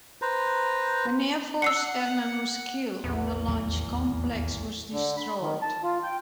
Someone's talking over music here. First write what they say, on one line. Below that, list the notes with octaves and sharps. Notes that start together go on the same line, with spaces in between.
An Air Force airman was killed and the launch complex was destroyed.
B4 C5 A#5
F#5 E6 C7 C#7
A#1 E2 A2 F3 B3
D#2 F#3 A3
D3
B5
D#3
A5
F4
G5